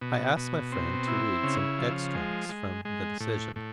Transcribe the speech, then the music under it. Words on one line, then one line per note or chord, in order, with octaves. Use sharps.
I ask my friend to read some extracts from the decision.
B2
B2
C4
E4
C#3
F3
G#3
G#3
G#3
A2
A2